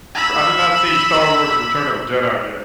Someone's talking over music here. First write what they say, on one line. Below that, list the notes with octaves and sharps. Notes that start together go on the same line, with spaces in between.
R I did not see Star Wars and Return of the Jedi yet,
B5 E6